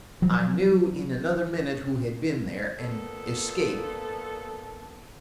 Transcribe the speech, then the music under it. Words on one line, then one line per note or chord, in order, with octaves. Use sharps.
I knew in another minute who had been there, and escaped.
F3 F#3
A#2 B3 A4